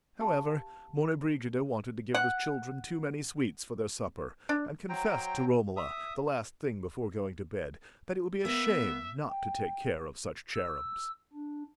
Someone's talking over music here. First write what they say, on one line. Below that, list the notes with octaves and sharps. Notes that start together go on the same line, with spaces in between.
However, Monna Brigida wanted to give the children too many sweets for their supper, and confessed to Romola, the last thing before going to bed, that it would be a shame not to take care of such cherubs.
G4 F5 A5
F#5
D4
F#3 C5 G5 A#5
E5 D#6
A#3 B3 E5
G5
E6
D4